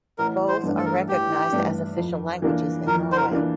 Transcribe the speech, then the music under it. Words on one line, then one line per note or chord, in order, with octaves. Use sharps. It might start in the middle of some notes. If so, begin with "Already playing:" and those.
Both are recognized as official languages in Norway.
A1 A#4
C5
G2 E3 A3 D4
A4
A#4
A4
A1 G4
G2 E3 A3 D4
F2
E3 A#3 D4
F2 A#4
C5
A#4
E3 A#3 D4